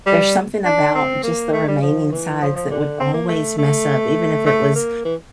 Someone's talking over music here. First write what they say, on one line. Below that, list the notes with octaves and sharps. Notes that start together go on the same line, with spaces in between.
There's something about just the remaining sides that would always mess up, even if it was
G3
D4
C4
A#3
A3
G3
F3
E3
F3
F3
D3
C4
A#3
A3
A3
A3
A#3
E3